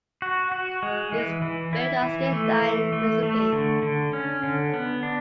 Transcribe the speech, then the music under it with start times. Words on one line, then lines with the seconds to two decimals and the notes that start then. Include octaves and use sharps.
He is buried at State Line, Mississippi.
0.22 F#4
0.52 F#4
0.83 G#3
1.12 E3
1.42 E3
1.73 E4
2.02 E3
2.33 A3
2.62 E3
2.93 A3
3.23 A3
3.52 D3
3.83 D3
4.13 C#4
4.43 D3
4.74 B3
5.03 D4